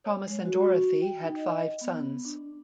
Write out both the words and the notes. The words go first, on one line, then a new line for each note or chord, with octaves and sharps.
Thomas and Dorothy had five sons.
C#5
G#3
F#4
F#4
G5
D#4
D#5
B3
D4